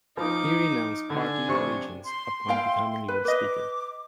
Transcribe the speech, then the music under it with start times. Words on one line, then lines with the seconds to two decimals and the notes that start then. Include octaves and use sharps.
He renounced party allegiance upon becoming Lord Speaker.
0.17 F3 D#4 D6
1.10 D3 D4 G#5
1.48 F2 C3 C#6
2.05 C6
2.48 E4 F5 G5
3.08 B4
3.25 B4 D#5 D6